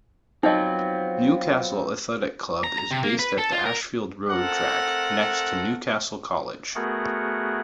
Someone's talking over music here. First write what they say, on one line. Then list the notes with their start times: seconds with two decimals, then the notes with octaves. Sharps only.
Newcastle Athletic Club is based at the Ashfield Road track, next to Newcastle College.
0.43 F3 F#3 B3 C4 D#4 D#5
2.64 A#5
2.78 A#5
2.91 C3
3.04 A#3
3.19 B4
3.38 A4
3.52 F4
3.65 A#4
4.30 A3 C4 A4 A#4 F#5
6.75 A3 B3 F#4 G#4 A#4 F#5